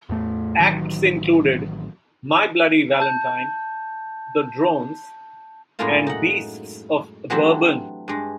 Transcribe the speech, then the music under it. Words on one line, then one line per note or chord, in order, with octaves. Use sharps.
Acts included My Bloody Valentine, The Drones and Beasts of Bourbon.
E2 A2 A3
A1 D#3 F#3
A5 G6
F#2 A2 G#3 A#3 E4 F4
D#4 F#5
E3 F#3 A3 C4 D4 G4
G2 G#3